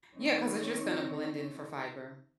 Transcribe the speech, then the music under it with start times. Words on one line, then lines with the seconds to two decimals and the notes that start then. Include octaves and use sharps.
Yeah, 'cause it's just gonna blend in for fiber.
0.15 D#3 C4 D#4 C#5